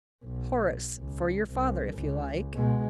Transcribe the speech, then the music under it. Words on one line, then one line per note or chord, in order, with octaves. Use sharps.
"Horace, for your father, if you like."
B1
C#2
C2
C#2
B2 G#3